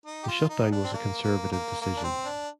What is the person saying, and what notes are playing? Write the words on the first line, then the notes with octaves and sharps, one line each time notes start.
The shutdown was a conservative decision.
D#4
G4
F4
D#4
D4
C4
A#3
A#3
A#3
A#3
D4
C4
D4